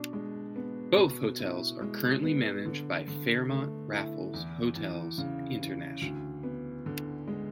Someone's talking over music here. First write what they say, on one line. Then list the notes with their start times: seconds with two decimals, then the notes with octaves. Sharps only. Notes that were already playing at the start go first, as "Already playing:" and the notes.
Both hotels are currently managed by Fairmont Raffles Hotels International.
Already playing: B2 D4
0.13 G#3
0.56 B3
0.97 B2
1.39 E4
1.82 G#3
2.23 B3
2.65 D3
3.08 D3
3.50 A3
3.92 E4
4.34 E2
4.76 E2
5.18 C#3
5.60 E3
6.02 D2
6.43 B3
6.86 D3
7.28 G#3